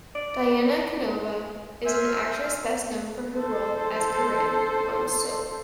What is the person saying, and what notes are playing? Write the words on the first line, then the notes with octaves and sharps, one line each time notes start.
Diana Canova is an actress best known for her role as Corinne on "Soap".
D5
C5 E5 G#5 E6 F6
A4 C5